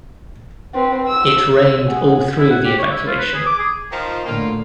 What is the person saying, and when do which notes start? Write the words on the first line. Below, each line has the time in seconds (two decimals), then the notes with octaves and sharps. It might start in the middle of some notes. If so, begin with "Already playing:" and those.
It rained all through the evacuation.
0.74 C4 B4
1.07 E6
1.53 E6
1.89 G#4 F#5
2.38 E4
2.51 F#5
2.65 G4
2.78 C#5
2.91 E4
3.07 F4
3.19 B4
3.35 G#4
3.46 D6
3.59 G#4
3.92 D#3 F3
4.26 A2 D3 A#3 F4